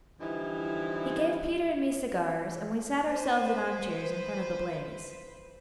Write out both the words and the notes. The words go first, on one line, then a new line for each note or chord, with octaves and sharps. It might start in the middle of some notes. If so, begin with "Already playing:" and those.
He gave Peter and me cigars, and we sat ourselves in armchairs in front of the blaze.
D3 E3 F3 G3 D#4 E4
B4 C5